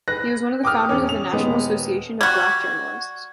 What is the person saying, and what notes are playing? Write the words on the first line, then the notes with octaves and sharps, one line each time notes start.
He was one of the founders of the National Association of Black Journalists.
B4 F#6 A#6
G5 D6 D#6 F6
E1 C#4
F7
D#1 G#3 B3
G3 F#4 C#6 G#6